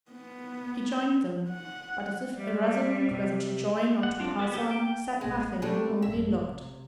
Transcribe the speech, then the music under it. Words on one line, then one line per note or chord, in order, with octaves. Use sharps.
He joined them; but, as if irresolute whether to join or to pass on, said nothing, only looked.
B3
F#5
G3
C3
F#5
C4 D4 F4
G#3 B3 F#4 A4
B3 G4 A4
G5
A1 G#3
G3 A3 A#3 C4 D4
A1 F#2 E5
C3